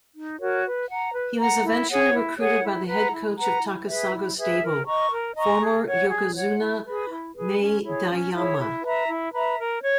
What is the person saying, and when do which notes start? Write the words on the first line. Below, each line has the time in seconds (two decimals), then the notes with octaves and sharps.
He was eventually recruited by the head coach of Takasago stable, former "yokozuna" Maedayama.
0.15 D#4
0.39 F#4 A#4 C#5
0.64 B4
0.89 F#5 A#5
1.13 B4
1.39 F#5 A#5
1.63 E4
1.89 G#4 C#5 F#5
2.13 E4
2.38 G#4 C#5 F#5
2.63 E4
2.88 B4 F#5 A#5
3.12 E4
3.37 B4 F#5 A#5
3.62 E4
3.87 G#4 B4 E5
4.12 E4
4.37 G#4 B4 E5
4.61 A#4
4.86 D#5 A#5 C#6
5.11 A#4
5.36 D#5 A#5 C#6
5.61 G#4
5.86 C#5 F#5
6.10 G#4
6.35 C#5 F#5
6.60 E4
6.85 G#4 B4
7.10 E4
7.35 G#4 B4
7.59 C#4
7.84 E4 G#4 C#5
8.09 C#4
8.34 E4 G#4 C#5
8.59 E4
8.83 B4 E5 A#5
9.08 E4
9.33 B4 E5 A#5
9.58 A#4
9.83 C#5